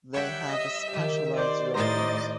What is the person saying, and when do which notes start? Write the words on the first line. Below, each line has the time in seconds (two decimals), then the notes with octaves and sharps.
They have specialized roles.
0.14 G3 C#5 E5 F#5 G5
0.49 D#5
0.93 D#3 G4 D#5
1.34 G4 C5 D5 D#5
1.74 A2 C5 D5 D#5 A#5 C6 A6